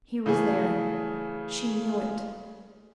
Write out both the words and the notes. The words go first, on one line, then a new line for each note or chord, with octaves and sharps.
He was there, she knew it.
C#3 E3 A3 G#4